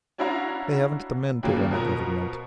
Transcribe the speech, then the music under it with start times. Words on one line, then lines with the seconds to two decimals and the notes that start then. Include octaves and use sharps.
They haven't the men to run a government.
0.18 C#4 D4 E4 F#4 F5 A#5
1.43 D#2 C#3 F#3 A#3
1.71 B2 F3 A#4 A#5